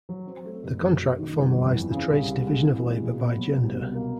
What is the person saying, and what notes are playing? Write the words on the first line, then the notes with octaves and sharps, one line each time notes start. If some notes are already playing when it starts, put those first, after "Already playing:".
The contract formalized the trade's division of labor by gender.
F#3
C4
A3
F#1
F#2
F#1
D#3
G1
F2
E3
C#3
C2
C3
G#3
E3
B1
A#2
B3
F#3
C2
B2
A#3